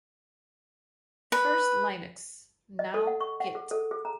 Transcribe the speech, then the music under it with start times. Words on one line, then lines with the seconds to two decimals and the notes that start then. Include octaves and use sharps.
First 'Linux', now 'git'.
1.32 B4
2.79 D#5
2.94 A4
3.07 F#5
3.21 C#6
3.40 F#5
3.55 G#4
3.71 A4
3.91 G#4
4.05 A#5